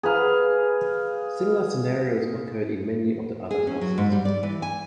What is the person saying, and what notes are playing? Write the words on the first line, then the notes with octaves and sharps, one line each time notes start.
Similar scenarios occurred in many of the other houses.
G#4 B4 F5
G#4
C#4
F#3
G#2
G3
D5
E3
G#5